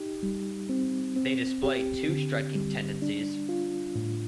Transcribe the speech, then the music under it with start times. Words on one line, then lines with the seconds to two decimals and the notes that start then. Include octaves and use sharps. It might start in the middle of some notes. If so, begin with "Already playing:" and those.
They display two striking tendencies.
Already playing: D#4 G4
0.23 G3
0.69 C4
1.16 C4
1.63 G4
2.09 D3
2.55 G3
3.02 D4
3.49 F4
3.95 A2